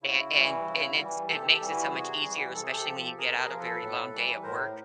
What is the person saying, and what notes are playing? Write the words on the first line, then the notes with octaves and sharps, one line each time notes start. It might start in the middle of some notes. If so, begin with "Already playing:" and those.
a and and it's it makes it so much easier, especially when you get out a very long day at work.
C#3 E4 F#4
E3 G3
C#3
E3 G3
C3 G4 A4
G4 A4
E3 G3
E4 F#4
C3 F#4 G#4
E3 G3
C3 A4
G#4
G4 A4
F3
C3 G#4 A#4
B4
G#4 A#4
F3
A4 B4
A2
E3 G3
B4
A2 A#4 C5